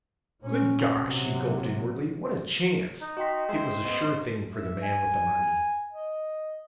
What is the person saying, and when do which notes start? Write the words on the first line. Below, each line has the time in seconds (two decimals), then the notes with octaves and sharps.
'Good gosh,' he gulped inwardly, 'what a chance!' It was a sure thing for the man with the money.
0.41 A#2 C#4
0.97 C3 F#3
3.01 D#4
3.17 F#4 D#5 G5 C6 B6
3.49 G#3 G#4 C5 E5
3.85 A1 B3 D#5
4.00 G#1 D#4
4.54 E5
4.82 G#5
5.92 D#5